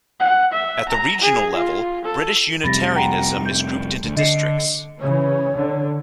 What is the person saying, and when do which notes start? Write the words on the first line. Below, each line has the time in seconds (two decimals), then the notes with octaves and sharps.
At the regional level, British Unitarianism is grouped into Districts.
0.20 F#5
0.53 E5
0.89 A#5
1.21 G#4
1.55 F4
2.05 A4
2.64 F2 C3 G3 B5 A6 A#6
2.95 F#5 G5 A#5
3.46 G6
4.04 D2
4.17 D3 D#5 C7 C#7
5.00 C#3 E3 C#5
5.57 D3